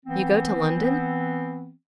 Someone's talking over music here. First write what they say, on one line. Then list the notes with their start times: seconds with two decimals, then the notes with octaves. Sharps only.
"You go to London?"
0.06 E3 B3 C4